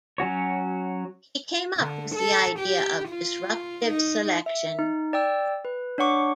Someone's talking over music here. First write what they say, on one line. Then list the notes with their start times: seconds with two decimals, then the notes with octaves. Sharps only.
He came up with the idea of disruptive selection.
0.18 F#3 C#4 F#4 C#5
1.77 D3
2.15 A4
2.59 G4
3.08 F4
3.85 D#4
4.46 E5
4.79 D#4
5.13 D5 G5 E6
5.65 B4
5.98 D4 C#5 F#5 C#6 D6